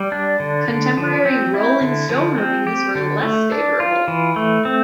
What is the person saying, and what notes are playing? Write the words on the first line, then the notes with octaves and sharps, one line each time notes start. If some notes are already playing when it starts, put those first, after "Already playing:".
Contemporary "Rolling Stone" reviews were less favorable.
Already playing: G3
D4
D3
D3
F3
C4
E4
D3
F3
C4
G4
D3
A3
D4
F4
E3
A3
C4